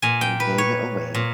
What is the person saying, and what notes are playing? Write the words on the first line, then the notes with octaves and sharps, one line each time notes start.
and gave it away
A#2 G#5
G5
B4
C#5
A#2